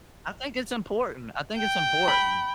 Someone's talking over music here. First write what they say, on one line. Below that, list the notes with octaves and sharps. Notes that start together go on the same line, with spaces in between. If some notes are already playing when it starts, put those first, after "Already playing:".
I think it's important, I think it's important.
G5
B5